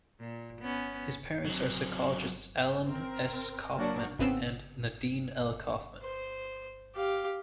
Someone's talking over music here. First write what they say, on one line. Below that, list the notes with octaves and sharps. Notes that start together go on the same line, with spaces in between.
His parents are psychologists Alan S. Kaufman and Nadeen L. Kaufman.
A#2
B3 C#4
F#3 C4
C4 A#4
F#3 A#3 D4 F#4
G#1 C#3 B3 C4 E6 E7
C5
G4 F5